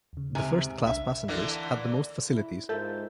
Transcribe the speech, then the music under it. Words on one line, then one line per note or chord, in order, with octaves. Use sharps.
The first class passengers had the most facilities.
D#2 C#3
G#2 C3 G#5
C2 D4 E5
D3 E3 A#3
E4
G#2 F4 A4 A#4 E5 A5 G6